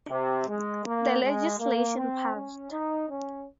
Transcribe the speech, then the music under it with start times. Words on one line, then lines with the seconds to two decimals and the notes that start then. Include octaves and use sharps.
The legislation passed.
0.10 C3
0.48 G#3
0.85 A#3
1.22 G#3
1.60 A#3
1.97 C4
2.35 C#4
2.72 D#4
3.09 C#4